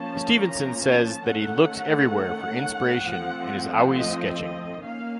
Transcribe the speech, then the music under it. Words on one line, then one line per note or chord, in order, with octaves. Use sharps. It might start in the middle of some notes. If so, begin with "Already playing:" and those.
Stephenson says that he looks everywhere for inspiration and is always sketching.
Already playing: F3 A#3 C#4 A5
A#5
A5
D#3 A3 C#4 F#5
F3 A3 C4
D#5
D#5
D#3 A#3 C#4 F5